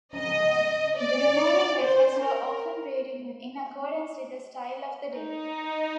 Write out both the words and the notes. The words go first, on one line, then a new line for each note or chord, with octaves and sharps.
The remaining letters were often rewritten in accordance with the style of the day.
D#5
D5
C5
A#4
D#4